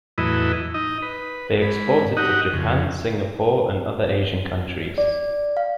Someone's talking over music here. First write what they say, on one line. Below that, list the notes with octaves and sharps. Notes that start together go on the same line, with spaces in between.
They exported to Japan, Singapore and other Asian Countries.
E2 A2 F#3 E4 B4 D#5
D#4 D#5
B4
G#2 B5
D#4 F#4 G4 D#5 F#5
F2 C#3
D5
F5